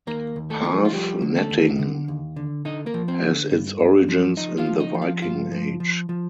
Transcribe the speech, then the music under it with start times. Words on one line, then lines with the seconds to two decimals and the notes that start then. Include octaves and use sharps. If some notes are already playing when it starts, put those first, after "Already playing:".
Haaf netting has its origins in the Viking Age.
0.07 D#2 A#3 A#4
0.36 D#2
0.50 A3 A4
0.65 F3
0.85 F4
0.92 F3 G3 G4
1.22 D3
1.36 A3 A4
1.50 D#2
1.79 D3
2.08 D#2
2.36 D3
2.65 D3 D#4 D#5
2.86 A#3 A#4
2.94 F3
3.08 C4 C5
3.23 D3
3.51 G2
3.80 G2
4.09 F3
4.37 F3 D#4 D#5
4.58 F4 F5
4.66 F3
4.80 D#4 D#5
4.95 F3
5.02 F5
5.22 G2 F4 F5
5.51 F3
5.80 F3
6.09 F3